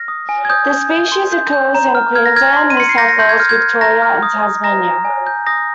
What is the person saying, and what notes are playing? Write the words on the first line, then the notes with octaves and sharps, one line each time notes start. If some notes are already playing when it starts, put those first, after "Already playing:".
The species occurs in Queensland, New South Wales, Victoria and Tasmania.
Already playing: F6 A#6
D#6
G#5
G#6
D#6 G6
G6
G6
C6
G6
G6
A#5
F6
F6 G#6
A#6
F6 G#6
C6
D#7
C6 C#7
C7
G6 A#6
A#6
C6 G6
G#6
F6 G6
G#6
F6
A#5 A#6
F6
D#6
D#6
A#5 A#6
A#5
G#5
G6
D#6 A#6